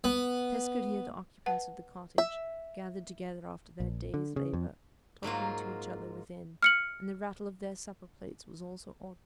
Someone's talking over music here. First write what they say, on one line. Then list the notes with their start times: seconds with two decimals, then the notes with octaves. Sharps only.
Tess could hear the occupants of the cottage--gathered together after their day's labour--talking to each other within, and the rattle of their supper-plates was also audible.
0.04 B3
1.46 B4 F#5 A5
2.18 E5
3.80 A#1
4.14 D3
4.36 C#3
4.53 F2
5.23 G#2 F#3 A#3 F4
6.63 F6 C#7 F#7